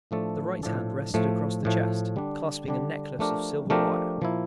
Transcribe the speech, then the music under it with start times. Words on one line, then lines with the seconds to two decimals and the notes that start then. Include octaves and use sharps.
The right hand rested across the chest, clasping a necklace of silver wire.
0.11 A2 F3 A3 D4 A4
0.63 A2 F3 A3 D4 A4
1.14 A2 F3 A3
1.65 A2 F3 A3
2.16 D3 G3 D4
2.68 D3 G3 D4
3.19 F3 A3 D4 G4 A#4
3.70 F3 A3 D4 G4 A#4
4.21 A#2 F3 A#3 E4